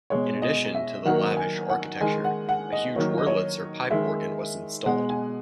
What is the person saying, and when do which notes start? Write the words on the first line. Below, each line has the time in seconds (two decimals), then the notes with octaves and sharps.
In addition to the lavish architecture, a huge Wurlitzer pipe organ was installed.
0.10 B2 G#3 C#5
0.42 D#5
0.75 E5
1.05 D#3 F#3 A#3 F#5
1.37 G#5
1.70 F#5
2.01 D#3 G#3 G#5
2.24 F#5
2.49 F#5
2.72 D#5
2.96 D#3 F#3 A#3 C#5
3.18 D#5
3.27 C#5
3.90 D#3 G#3 E5
4.86 B2 G#3 F#5
5.10 G#5